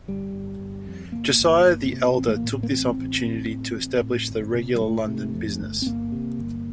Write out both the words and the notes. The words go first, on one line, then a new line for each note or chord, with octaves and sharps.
Josiah the elder took this opportunity to establish the regular London business.
G1 G3
G1
G1
F2
G1 A#3
G1
G1
C3
A1 C4
A3
A#3
A2
C4
A#3
A1 C4
A1
A1
A2
A1
A2
G1
C3
G3
G1 A3
C3
F2
G1
C4
G1 A#3
C3
G1